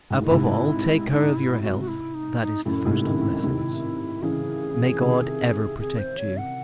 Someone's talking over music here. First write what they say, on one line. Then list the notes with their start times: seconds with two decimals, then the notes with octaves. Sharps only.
Above all, take care of your health; that is the first of blessings. May God ever protect you!
0.10 G#2
0.21 A2 D#4
0.31 G#2 C3 E4
1.10 D#4
1.36 E4
1.62 F#4
1.80 F#4
1.88 E4
2.14 D#4
2.40 D#4
2.66 F#2 A2 E4
2.86 G#2 C3
3.05 C3 D#3
3.44 C3 D#3
4.22 C#3 E3 G#4
5.01 C3 D#3
5.79 G#4
5.98 C5
6.18 C#5
6.37 F#5